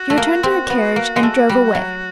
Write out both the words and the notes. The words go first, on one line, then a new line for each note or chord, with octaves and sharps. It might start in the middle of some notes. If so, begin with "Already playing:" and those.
She returned to her carriage and drove away.
Already playing: F#4
A3
A#3
C4
B3
A#3
G#3
A3
G3
F#3